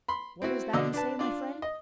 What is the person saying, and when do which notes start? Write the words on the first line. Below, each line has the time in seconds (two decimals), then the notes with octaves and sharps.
"What is that you say, my friend?"
0.08 B5 C6
0.42 C4 E4 F#4
0.73 B2 D3 D4 D#5 E6
0.94 D4 B4 A5
1.19 D4 F4 D5
1.62 D#5